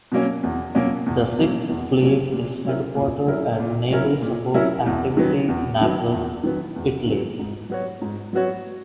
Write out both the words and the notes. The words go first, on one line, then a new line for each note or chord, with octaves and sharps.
The Sixth Fleet is headquartered at Naval Support Activity Naples, Italy.
B2 F#3 A#3 C#4
E2
B2 F#3 A#3 C#4
E2
B2 F#3 A#3 C#4
E2
B2 F#3 A#3 C#4
A#2
F#3 C#4 E4 A#4
A#2
F#3 C#4 E4 A#4
A#2
F#3 C#4 E4 A#4
A#2
F#3 C#4 E4 A#4
E2
D#3 F#3 B3
E2
D#3 F#3 B3
E2
D#3 F#3 B3
E2
D#3 F#3 B3
G#2
F#3 B3 F#4 C#5
G#2
F#3 B3 F#4 C#5